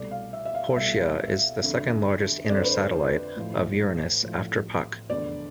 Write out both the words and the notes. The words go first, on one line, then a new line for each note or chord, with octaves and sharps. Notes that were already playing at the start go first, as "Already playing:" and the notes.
Portia is the second-largest inner satellite of Uranus after Puck.
Already playing: C2 B2 A3 D5
F5
E5
E5
F5
C2 B2 A3 E5
F2 D3 A3
F2 D3 A3 D5
C5
B4
C5
A1 A2 F3
A1 A2 F3
F1 E2 D3 D5